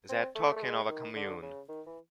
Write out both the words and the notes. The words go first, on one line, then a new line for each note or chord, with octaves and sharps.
They are talking of a Commune.
C4
A3
A3
G#3
D#3
D3
C#3
D#3
E3